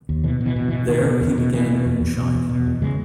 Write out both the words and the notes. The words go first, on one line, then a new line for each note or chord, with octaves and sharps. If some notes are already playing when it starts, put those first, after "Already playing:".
There, he began moonshining.
D#2
B2 E3
B2
E3
B2
E3
B2
B2 D#3
B2
E2
B2
B2 E3
B2
E2
E2
B2
E2
B2
E2
C#3 E3 G#3